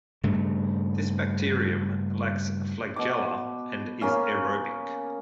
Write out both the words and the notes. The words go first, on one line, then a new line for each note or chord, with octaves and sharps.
This bacterium lacks flagella and is aerobic.
G2 C#3 A3
B2 D6
C#3 A#3 C#4 F5